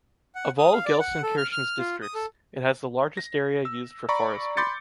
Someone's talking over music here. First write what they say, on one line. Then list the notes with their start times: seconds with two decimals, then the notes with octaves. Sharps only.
Of all Gelsenkirchen's districts, it has the largest area used for forestry.
0.35 F#5
0.58 D#6
0.73 F5
0.86 D5
1.00 F#5
1.23 A4
1.37 F6
1.52 F6
1.78 F4
2.02 D#6
2.15 A4
3.17 A#6
3.65 E6
4.09 D5 A#5 B5 C#6
4.57 B5 C6 D6 G6 A6 C#7